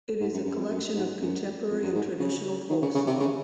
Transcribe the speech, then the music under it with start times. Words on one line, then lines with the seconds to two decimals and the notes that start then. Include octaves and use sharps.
It is a collection of contemporary and traditional folk song.
0.20 G#2
0.33 F#2
0.45 F#2
0.57 F2
0.71 F#2
0.95 G#2
1.21 F#2
1.70 F2
1.83 F#2
1.95 G#2
2.20 C#3
2.69 D#3
2.82 C#3
2.94 C#3
3.07 C3
3.20 C#3